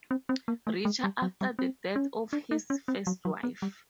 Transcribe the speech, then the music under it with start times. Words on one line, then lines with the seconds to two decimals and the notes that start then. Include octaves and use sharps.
Richer after the death of his first wife.
0.11 C4
0.29 C4
0.48 A#3
0.67 A3
0.85 G#3
1.04 G3
1.22 F#3
1.41 G3
1.59 C4
1.96 C#4
2.33 D4
2.51 D#4
2.70 C#4
2.88 C4
3.07 F#3
3.25 F#3
3.43 B3
3.62 G3